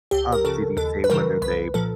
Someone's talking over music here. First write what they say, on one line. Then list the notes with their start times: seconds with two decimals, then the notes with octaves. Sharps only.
Um, did he say whether they
0.11 C#2 G4
0.32 A#4
0.45 C#3 F3 A4
0.77 D#2 A4
1.04 B4
1.10 C#3 E3 G3 A#4
1.42 C2 B4
1.74 A#2 F3 A4